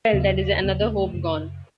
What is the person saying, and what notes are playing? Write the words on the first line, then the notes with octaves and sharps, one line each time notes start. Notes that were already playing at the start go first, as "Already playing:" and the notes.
Well, that is another hope gone.
D#2 C#3 B3
D#2 C#3 B3
B3
A3
F#2 C#3